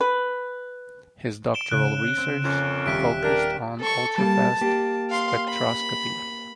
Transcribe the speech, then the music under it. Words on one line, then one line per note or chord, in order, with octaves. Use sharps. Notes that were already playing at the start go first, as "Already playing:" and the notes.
His doctoral research focussed on ultrafast spectroscopy.
B4
D7 E7 G7
C#3 F#6 D7
C4
F2 A#3 C#4
D#1 G3 E5 F#6 B6 D7
D4 A#4 G5 G6
A4 C#6
G3 A#3 A5
A#3 G4
F5 C6
B5